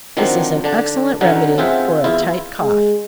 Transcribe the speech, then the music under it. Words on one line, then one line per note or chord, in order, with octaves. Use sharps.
This is an excellent remedy for a tight cough.
D#3 F3 F#3 C4 D4
D3 D4 A5
D3 F#3 C#4 D#4 C#5 F#5
C4 F4 G#4 C5 E5 F#5
E2 E4 F4
G#3